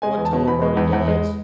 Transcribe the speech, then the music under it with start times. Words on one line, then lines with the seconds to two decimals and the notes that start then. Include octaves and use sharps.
what Teleparty does
0.02 G#3 G#5
0.17 E2
0.25 A5
0.33 B2
0.47 E2 B5
0.62 G#3
0.77 E2
0.93 E2
1.08 G#3